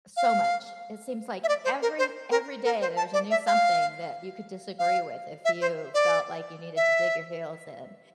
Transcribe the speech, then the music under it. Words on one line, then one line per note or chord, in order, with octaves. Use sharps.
so much. It seems like every every day there's a new something that you could disagree with if you felt like you needed to dig your heels in,
F5
E5
D5
C5
A#4
C5
A#4
A#4
C5
A5
D5
E5
F5
F5
E5
C5
D5
E5